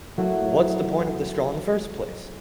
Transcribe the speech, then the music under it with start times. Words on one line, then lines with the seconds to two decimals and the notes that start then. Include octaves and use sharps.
What's the point of the straw in the first place?
0.17 F#3 A3 A#3 E4 F#4 C#5